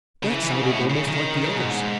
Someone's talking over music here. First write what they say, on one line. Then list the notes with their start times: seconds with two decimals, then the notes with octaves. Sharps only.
That sounded almost like the others.
0.23 C#3
0.33 E3
0.43 E3
0.52 C#3
0.62 B2
0.71 A2
0.90 C#3
1.08 D#3
1.37 D#3
1.46 C#3
1.55 B2
1.65 G#2